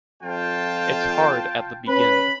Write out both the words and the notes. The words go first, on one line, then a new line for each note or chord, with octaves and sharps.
It’s hard at the beginning.
F2 F4 G5 A5
C#4 B4 B5